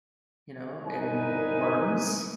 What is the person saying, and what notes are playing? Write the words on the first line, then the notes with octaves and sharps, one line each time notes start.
you know, and worms.
G1 C2 D#4 A#4 B4 G#5